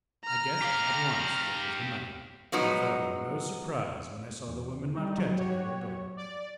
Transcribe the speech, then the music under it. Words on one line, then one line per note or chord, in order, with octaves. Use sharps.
I guessed at once what was the matter, and felt no surprise when I saw the woman Marchetti and her daughter.
A#5 F6
G4 F5
F3 F#3 G#3 B3 D#4
E2
G3 D#4
F#3
F#4 G4 C#5
D5